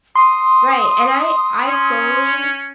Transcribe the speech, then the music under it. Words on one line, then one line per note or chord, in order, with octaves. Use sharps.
Right, and I I solely
C6 D#6
C#4